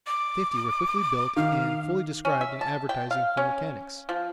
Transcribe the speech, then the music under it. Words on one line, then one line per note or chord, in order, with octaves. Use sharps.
Fifty were quickly built and fully described in advertising for mechanics.
D6
D#3 F5
C#4
E5
A5
G5
F5
C#4
F3